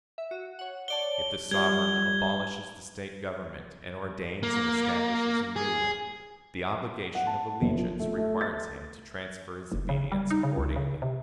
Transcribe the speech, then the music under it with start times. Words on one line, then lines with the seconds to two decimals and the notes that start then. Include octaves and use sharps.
If the sovereign abolishes the State government and ordains and establishes a new one, the obligation of allegiance requires him to transfer his obedience accordingly.
0.18 E5
0.31 F#4
0.59 C#5 F#5
0.88 C#5 D5 A5 G7
1.51 G3 F4 G4 D5 G#6 G7
4.43 A#3
5.56 G#4
7.15 F#5
7.27 A5
7.62 F#1
7.78 F3
8.00 A3
8.18 A3
8.41 A6
9.72 F#1
9.89 C#3
10.12 G3
10.31 D#4
10.43 C#3
10.56 C#2
10.76 C#3
11.02 C3